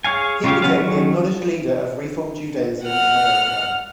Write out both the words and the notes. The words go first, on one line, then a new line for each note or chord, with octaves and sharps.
He became the acknowledged leader of Reform Judaism in America.
G#4 C#5 F5 G#5
C#3 F4 G4 C#5 F5
F#3 B3 C#4 F5
D#3 F#3 C#4
F#5 F6